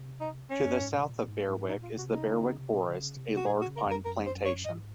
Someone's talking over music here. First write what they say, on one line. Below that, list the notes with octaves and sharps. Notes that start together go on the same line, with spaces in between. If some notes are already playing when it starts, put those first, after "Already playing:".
To the south of Berwick is the Berwick Forest, a large pine plantation.
Already playing: C3
D#4
C#4
F#2
G#2
C3
A#2
G#2
G#2
A#2 D#4
F4
C3 F#4
D#4
C#3
C#3
C3
A#2
C#3
C3
F#4
A#2 G#4
F#4
C#3
A#4
F#2
A#4
F#2 A#4
C5
F#2
C#5
G#2 D#5